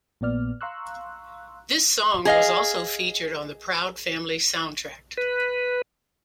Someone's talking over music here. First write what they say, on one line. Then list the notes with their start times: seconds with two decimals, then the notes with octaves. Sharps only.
This song was also featured on "The Proud Family Soundtrack".
0.21 A#1 A#2 B3 D5 F6
0.61 F5 A#5 C6 C#6 E6 F#6
2.25 G#4 D#5 F5
5.17 B4